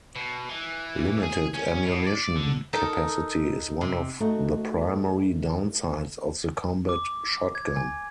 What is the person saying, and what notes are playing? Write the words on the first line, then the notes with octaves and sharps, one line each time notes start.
Limited ammunition capacity is one of the primary downsides of the combat shotgun.
B2
E3
G#4
C#4
A2
D5
D3
D#4 A4 A#4
C3
A3 D#4 F#4
D6
G#6
G#5